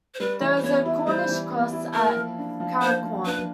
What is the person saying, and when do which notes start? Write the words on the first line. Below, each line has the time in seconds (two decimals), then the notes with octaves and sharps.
There is a Cornish cross at Carracawn.
0.14 C5
0.20 G3 B4
0.41 E3
0.57 C5
0.63 B3 C#5
0.85 E4
1.07 G3 C5
1.29 E3
1.51 B3
1.73 E4
1.94 A#3 A#4
2.16 F3
2.38 D4
2.60 F3
2.82 A#3 C5
3.04 F3
3.26 D4 B4